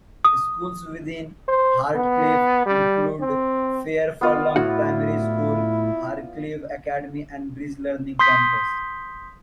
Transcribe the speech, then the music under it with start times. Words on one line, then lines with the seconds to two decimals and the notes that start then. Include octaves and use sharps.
Schools within Hartcliffe include Fair Furlong Primary School, Hareclive Academy, and Bridge Learning Campus.
0.25 D#6
1.48 C5
1.95 B3
2.66 G3
3.21 C4
4.21 B3 F4 D5
4.56 A2 E4 F#4 F#5
8.19 C6 D#6 G6 B6